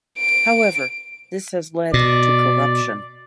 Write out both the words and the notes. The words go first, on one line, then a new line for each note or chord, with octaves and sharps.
However, this has led to corruption.
D7
B2 D5